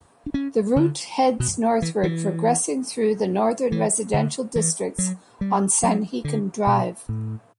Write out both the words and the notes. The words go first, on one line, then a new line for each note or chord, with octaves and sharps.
The route heads northward, progressing through the northern residential districts on Sanhican Drive.
D4
C#4
D3
B2
E3
E3
E3
D3
E3
F#3
G3
F#3
D3
B2
A2